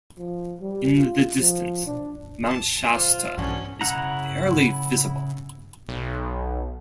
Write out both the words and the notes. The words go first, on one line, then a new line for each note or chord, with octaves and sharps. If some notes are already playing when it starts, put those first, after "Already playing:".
In the distance, Mount Shasta is barely visible.
F3
G3
F4
F3
D4
A5
F4 C5
A#1 G2 D3 E3 C#4 D4 F#4
C#3 E4 F#5 A#5
B1